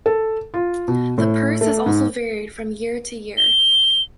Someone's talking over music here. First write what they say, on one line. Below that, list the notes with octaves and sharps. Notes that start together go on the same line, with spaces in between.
The purse has also varied from year to year.
A4
F4
B2
A2
A3
G#2
G7